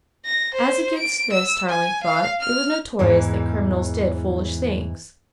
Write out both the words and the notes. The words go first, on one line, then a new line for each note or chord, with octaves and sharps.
As against this, Tarling thought, it was notorious that criminals did foolish things.
A#6
C5
D7
E6
G#5
F5
F6
E2 G#2 E3